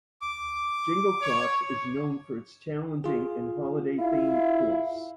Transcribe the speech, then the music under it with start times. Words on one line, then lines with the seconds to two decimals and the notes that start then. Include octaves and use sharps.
Jingle Cross is known for its challenging and holiday themed course.
0.22 D6
1.22 C#5
3.04 F4 G#4
3.99 E4 F5